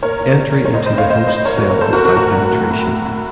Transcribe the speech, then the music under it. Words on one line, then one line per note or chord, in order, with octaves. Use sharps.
Entry into the host cell is by penetration.
A#2 A#4 C#5
A#2
A#2
A#2
C#5
A2 C5 D#5
C5 D#5
A2
C#5 F5
A2 C5 D#5
A2 C5 D#5
A#2 A#4 C#5
F#4 A#4
A#2
A#4 C#5
A#2 A4 C5
F#4 A#4
A#2
F#4 A#4
A2 F#4 A#4
A2
A2
A2
A2
A2